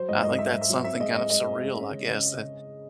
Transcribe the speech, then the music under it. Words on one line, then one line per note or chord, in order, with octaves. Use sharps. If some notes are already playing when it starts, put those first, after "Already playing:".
I think that's something kind of surreal, I guess, that
Already playing: F#3 C5
G#2 D#5
G#2 D#5
G#2 E5
G#2
E5
F#3
C4 E5
G#3 D#5
G#3 D#5
G#3 D#5
C4
G#3
C#4
C#3
C#3